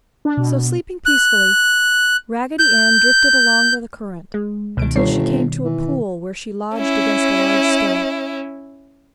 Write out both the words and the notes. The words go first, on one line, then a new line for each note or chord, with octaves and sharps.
So, sleeping peacefully, Raggedy Ann drifted along with the current until she came to a pool where she lodged against a large stone.
D4
B2
F#6
G6
G#3
C#2 B2 D#3 D7
G1 G3 C#5 C7
E3
C#4 E4